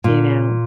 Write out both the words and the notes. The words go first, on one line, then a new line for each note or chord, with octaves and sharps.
You know?
A#2